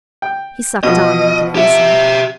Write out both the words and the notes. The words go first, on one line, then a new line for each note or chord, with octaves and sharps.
He sucked on like an innocent.
G5
B2 F3 D#5
G4 E5